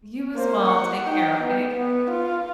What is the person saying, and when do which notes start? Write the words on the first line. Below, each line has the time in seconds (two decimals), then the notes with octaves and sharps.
You as well. Take care, okay?
0.35 A#3 C5
0.68 F#5
1.05 D#4 G5
1.41 B3
1.74 B3
2.10 F4